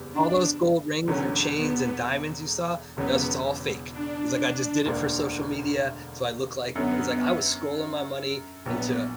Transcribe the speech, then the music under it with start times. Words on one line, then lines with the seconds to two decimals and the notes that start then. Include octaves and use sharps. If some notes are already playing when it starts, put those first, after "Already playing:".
"All those gold rings and chains and diamonds you saw, that was just all fake." He's like, "I just did it for social media, so I look like" He's like, "I was scrolling my money into
Already playing: F#1 E2 G3
0.12 D4
1.07 E1 E2 D3 F#3 C#4
1.55 B3
2.96 E1 E2 C#3 F#3 B3 C#4
3.92 D4
4.86 E1 D2 D3 A#3 D4
6.75 F#2 D3 F#3 B3
8.65 A#1 A#2 F#3 B3